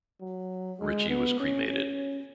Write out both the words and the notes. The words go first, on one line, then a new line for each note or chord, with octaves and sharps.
Ritchie was cremated.
F#3
G#3
B3
C#4
C#4